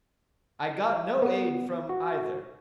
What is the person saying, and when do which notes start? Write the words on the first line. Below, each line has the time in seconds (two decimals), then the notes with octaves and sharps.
I got no aid from either.
1.22 B3
1.89 F#4